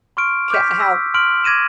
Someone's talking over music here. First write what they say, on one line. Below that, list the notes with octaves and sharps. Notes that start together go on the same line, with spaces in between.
k how
C6 C#6 F6 D7
D6 F6 G6 B6
E6 B6
C6 F6 D7 F#7
D6 G#6 A#6 D#7 E7